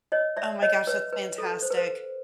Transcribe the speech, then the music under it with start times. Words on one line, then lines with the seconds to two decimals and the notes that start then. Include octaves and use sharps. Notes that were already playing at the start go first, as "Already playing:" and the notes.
Oh my gosh, that's fantastic.
0.12 C#5 D#5
0.37 D5 E5
0.62 C#5 D#5
0.87 B4 C#5
1.13 B4
1.38 A4
1.62 C5
1.70 B4
1.77 C5